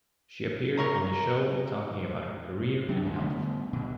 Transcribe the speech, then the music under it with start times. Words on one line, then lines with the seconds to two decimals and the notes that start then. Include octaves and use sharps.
She appeared on the show, talking about her career and health.
0.77 A#4 C#5 A#5
2.89 F#3 D4
3.03 C#2 G#2 D#3 G3
3.20 D3 G3 A3 B3
3.73 B2 D3